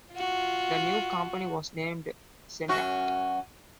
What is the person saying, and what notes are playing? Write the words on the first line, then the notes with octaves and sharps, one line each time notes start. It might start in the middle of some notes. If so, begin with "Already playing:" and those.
The new company was named Cendant.
F4 F#4
F#2 C#4 F#4